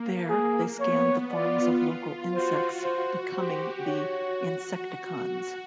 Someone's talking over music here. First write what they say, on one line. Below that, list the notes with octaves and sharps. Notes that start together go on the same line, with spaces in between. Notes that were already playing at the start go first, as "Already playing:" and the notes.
There, they scanned the forms of local insects, becoming the Insecticons.
Already playing: A#3
G#4
B3 C#5
F4 D5
F#4 C5
C5
G4 C5
F#4 C#5